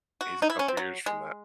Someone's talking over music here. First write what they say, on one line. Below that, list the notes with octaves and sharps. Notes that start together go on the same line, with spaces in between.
He's a couple of years from that.
F#4
D#4
E4
C#4
C4
F#3
G#3